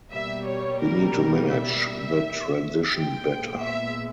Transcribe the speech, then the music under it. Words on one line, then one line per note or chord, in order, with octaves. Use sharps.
We need to manage the transition better.
B2 G3 A#3 E5
C#5
A#4
E5
A#2 G#3 B3 G5
E5